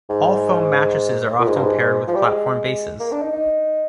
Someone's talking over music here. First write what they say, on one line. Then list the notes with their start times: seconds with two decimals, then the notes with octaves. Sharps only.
All-foam mattresses are often paired with platform bases.
0.10 G#2
1.39 A#2
1.48 G#2
1.56 G2
1.63 G#2
2.08 F3
2.15 G3
2.25 G#3
3.00 A#3
3.12 D4
3.22 D#4
3.33 D#4